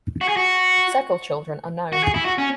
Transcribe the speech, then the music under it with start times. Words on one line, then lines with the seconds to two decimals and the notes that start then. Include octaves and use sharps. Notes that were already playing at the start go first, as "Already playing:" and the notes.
Several children are known.
0.21 F#4
0.29 G#4
0.37 F#4
1.93 F#4
2.03 G#4
2.14 E4
2.25 F#4
2.38 C#4